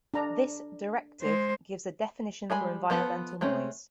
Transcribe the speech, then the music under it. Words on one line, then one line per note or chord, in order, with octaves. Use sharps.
This directive gives a definition for environmental noise.
D4 A#5
G#3 C5
G3 G#3 G#5 B5
F3 B3 A4 B4
G#3 A3 C4 C#4